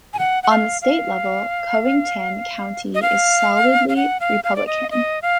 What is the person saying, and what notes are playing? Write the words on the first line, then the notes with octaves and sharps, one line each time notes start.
On the state level, Covington County is solidly Republican.
G#5
F#5
F#5
F5
F5
D#5
F5
F5
F#5
F5
F5
D5
D#5
D#5
F5